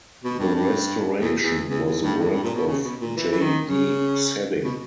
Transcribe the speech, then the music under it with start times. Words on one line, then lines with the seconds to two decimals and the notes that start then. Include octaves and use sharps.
The restoration was the work of J. D. Sedding.
0.24 B2
0.39 G2
0.55 G2
1.21 E2
1.41 E2
1.70 E2
1.86 E2
2.02 G2
2.19 E2
2.31 G2
2.43 A#2
2.55 B2
2.67 C#3
2.84 B2
3.00 A#2
3.17 E3
3.31 E3
3.41 D#3
3.66 C#3
4.63 B2